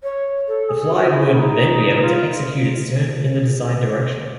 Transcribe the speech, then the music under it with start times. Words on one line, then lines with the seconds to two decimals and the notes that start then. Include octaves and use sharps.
The fly would then be able to execute its turn in the desired direction.
0.03 C#5
0.47 A4
0.69 G#4
0.91 F#4
1.12 E4
1.34 D#4
2.01 F4